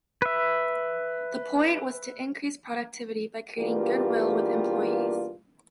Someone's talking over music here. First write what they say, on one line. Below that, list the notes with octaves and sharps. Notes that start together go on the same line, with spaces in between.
The point was to increase productivity by creating good will with employees.
B4 E5
E2 G2 A#3 F4 G4 D5